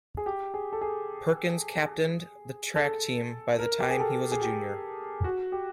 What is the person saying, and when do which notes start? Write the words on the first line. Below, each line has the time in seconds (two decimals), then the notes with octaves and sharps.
Perkins captained the track team by the time he was a junior.
0.17 G#4
0.26 G4
0.54 G#4
0.73 A4
0.81 G#4
2.76 A4
3.59 A#4
3.80 G4
3.90 G#4
4.00 A4
4.32 G#4
4.42 G4
5.24 F#4
5.52 G4